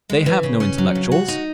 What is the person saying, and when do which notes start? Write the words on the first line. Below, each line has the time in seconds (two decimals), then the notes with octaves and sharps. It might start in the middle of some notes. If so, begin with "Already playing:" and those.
They have no intellectuals....
0.10 G#3
0.26 E3
0.43 C#3
0.60 C#4
0.78 F#3
0.95 C#3
1.11 F#4
1.28 D#4